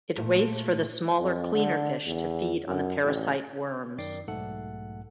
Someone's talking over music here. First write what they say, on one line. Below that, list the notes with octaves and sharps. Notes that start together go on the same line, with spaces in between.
It waits for the smaller cleaner fish to feed on the parasite worms.
A#2 A3
F2
D3
E2
F#2
A1
F#2 D#3 D5 D6 C7
B1 G#2 A3 A4 F#5 F#6